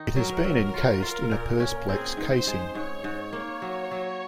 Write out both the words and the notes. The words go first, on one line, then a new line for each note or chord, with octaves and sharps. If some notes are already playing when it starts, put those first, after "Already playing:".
It has been encased in a persplex casing.
Already playing: D#3 D#4
F#3 A#4
F#3
F4
F4
A#2
C#4
C4 G#4
G#2
C5
G#3
G#2 C#5
G#2
A#3
F#3
F#3